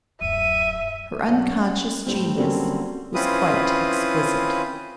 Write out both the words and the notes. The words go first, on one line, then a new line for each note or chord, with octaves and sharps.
Her unconscious genius was quite exquisite.
D1 F#2 E5 D#7
B1 D5 F#5
C#4
A2 G3 C4
D3 F#3 G3 A#3 C4 C#4
C4 C#4 E4 F4 B4 D#6